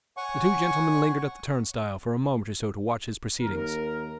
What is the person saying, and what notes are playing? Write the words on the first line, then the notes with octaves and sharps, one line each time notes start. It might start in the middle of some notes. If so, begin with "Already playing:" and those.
The two gentlemen lingered at the turnstile for a moment or so to watch his proceedings.
C#5 F#5 G#5 C#6
D#2 A#4